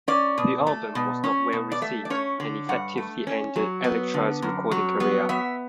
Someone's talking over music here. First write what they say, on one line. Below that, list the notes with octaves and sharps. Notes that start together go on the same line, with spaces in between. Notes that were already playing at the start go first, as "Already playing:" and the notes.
The album was not well received and effectively ended Electra's recording career.
C#4 D5
B2
A3
B2
C#4
B2
D5
A3 E5
D5
C#4 C#5
D3
G2 F#5
A3
C#4
F#3
B3
D3
F#2
F#3
B3
B3 E5